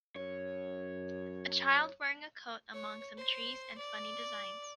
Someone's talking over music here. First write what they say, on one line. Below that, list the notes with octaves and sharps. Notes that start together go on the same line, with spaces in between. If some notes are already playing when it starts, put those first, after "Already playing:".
A child wearing a coat among some trees and funny designs.
F#2 C#5
C#5
C5
D5